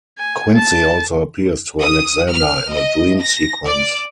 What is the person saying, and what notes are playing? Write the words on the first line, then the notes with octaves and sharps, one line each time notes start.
Quincey also appears to Alexander in a dream sequence.
G#5
A5
D#6
F6
D#5
A#6
D5